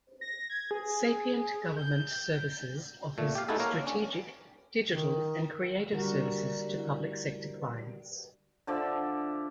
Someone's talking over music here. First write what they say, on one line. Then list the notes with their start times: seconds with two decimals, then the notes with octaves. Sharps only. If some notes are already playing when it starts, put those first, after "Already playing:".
Sapient Government Services offers strategic, digital, and creative services to public sector clients.
0.21 A#6
0.50 G#6
0.71 G#4
1.77 G6
3.18 A#2 A3
3.35 G4 F5
3.48 A3 D#4 E4 F#4 G#4 A4
3.60 A#3 A#4 C#5
3.83 C#4 D4
4.87 D#3
5.92 D3 G3 F#4 A#4
8.67 D3 F3 D5 E5